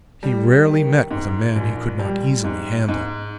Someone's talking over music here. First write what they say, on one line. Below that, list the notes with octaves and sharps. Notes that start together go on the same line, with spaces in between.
He rarely met with a man he could not easily handle.
G3
D#3
G#2
A#1
G3
G#2
G#2